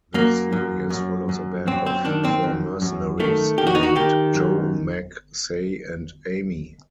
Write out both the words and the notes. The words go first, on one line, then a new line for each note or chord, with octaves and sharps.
The series follows a band of four mercenaries, named Jo, Meg, Sei, and Amy.
F#2 A#3
F#2
F#2
F#2
F#2 C4
C4
D#3 D4
C4
F#2
F#2
D#3 A3
D#3 G4
F#4
D#4
F#4
D#3 G4
F#2